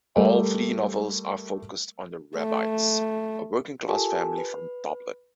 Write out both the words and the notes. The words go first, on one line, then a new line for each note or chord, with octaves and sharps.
All three novels are focused on the Rabbittes, a working-class family from Dublin.
G3 A3 A#4 E5
A3
F4 G4 A4 A#4 G#5 A5
B4